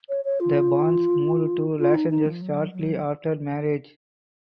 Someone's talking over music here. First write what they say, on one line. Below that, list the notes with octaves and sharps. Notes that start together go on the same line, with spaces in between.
The Bonds moved to Los Angeles shortly after marriage.
C#5
C#5
F4
F4
D#4
D#4
F3
F#3
F#3